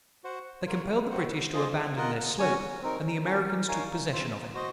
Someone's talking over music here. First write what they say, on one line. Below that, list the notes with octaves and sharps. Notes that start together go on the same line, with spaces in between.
They compelled the British to abandon their sloop, and the Americans took possession of it.
F#4 C5 F#5
F4 A#4 C#5 F#5
C4 F#4 C5 F#5
F4 G#4 C5 D#5
F4 A#4 D#5 F#5
C#4 F#4 C#5 G#5
C4 D#4 A#4
C#4 F#4 A#4
D#4 A#4 C#5 F5 G#5
C4 F4 C5
F#4 C5 D#5